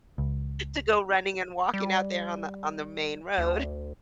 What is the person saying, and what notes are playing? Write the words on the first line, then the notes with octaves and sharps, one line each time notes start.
to go running and walking out there on the on the main road,
C#2
G3
D2